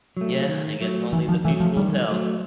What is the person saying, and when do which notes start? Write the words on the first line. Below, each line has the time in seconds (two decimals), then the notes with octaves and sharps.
Yeah, I guess only the future will tell.
0.17 F#3 A3
0.49 D#3
0.81 F#3 A3
1.13 D#3 E3
1.29 F3
1.44 E3 A3
1.48 F#3
1.60 F3
1.77 D#3 G3
2.09 F#3 A3